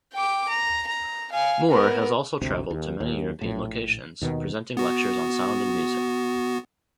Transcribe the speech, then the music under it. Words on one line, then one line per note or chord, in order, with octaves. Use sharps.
Moore has also travelled to many European locations, presenting lectures on sound and music.
G5 D6
A#5
A#5
F5 G#5
B3 A#4
G#1 D2 C3
D#2
D#2
A#1 A2
D#2 B2 D#3
B3 F#4